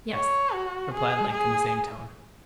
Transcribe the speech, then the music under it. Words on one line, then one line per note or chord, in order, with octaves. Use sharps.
"Yes," replied Link in the same tone.
C#5
F#4
G#4
G#4